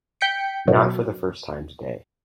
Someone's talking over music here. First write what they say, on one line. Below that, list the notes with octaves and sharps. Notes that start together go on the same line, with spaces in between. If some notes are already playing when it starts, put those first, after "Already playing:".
Not for the first time today.
G5 G6 B6 C#7 D7
F#2 B2 F#3